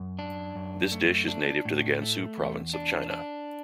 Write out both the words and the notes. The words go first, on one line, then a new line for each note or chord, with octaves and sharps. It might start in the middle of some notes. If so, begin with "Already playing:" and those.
This dish is native to the Gansu province of China.
Already playing: F#2
D4
F#2
A3
D4
A2
A3
E2
D4
D4